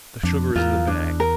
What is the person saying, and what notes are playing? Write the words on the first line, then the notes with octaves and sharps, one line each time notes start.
The sugar is in the bag.
F2 D4
E2 F4 A#4
D4
A#4